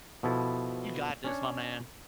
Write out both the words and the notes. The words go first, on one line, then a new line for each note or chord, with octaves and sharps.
You got this, my man.
B2 F3 E4 A4
C#4 D4 C#5